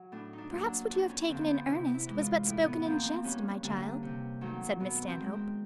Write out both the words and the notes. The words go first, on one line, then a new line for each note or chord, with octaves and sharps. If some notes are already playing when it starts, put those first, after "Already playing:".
"Perhaps what you have taken in earnest, was but spoken in jest, my child," said Miss Stanhope.
Already playing: F#3
A2 D4
D#4
D4
F#3 A#3
D4
F2 D4
C#4
D3 F3 C4
B3
C4
C3 E4
E4
E3 G#3
F4
A2 E4
B3
F3 A#3 C4
C4
G2 C#4
D3 G3 A#3
C3
D#3 F#3 A3
B2 B3
C4
G#3
C4